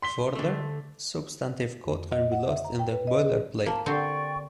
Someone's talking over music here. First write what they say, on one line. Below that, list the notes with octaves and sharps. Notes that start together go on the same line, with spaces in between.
Further, substantive code can be lost in the boilerplate.
C6 B6 G7
D3 A3
F2
D#5
F#5
E5
A#5
G5
B4
D#5
G#4
A#3 A5
D3 C4 G4 D5 G5 C#6